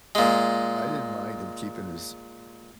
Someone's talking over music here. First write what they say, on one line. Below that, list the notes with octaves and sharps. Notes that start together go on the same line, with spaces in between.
I didn't mind him keeping his
A#2 G#3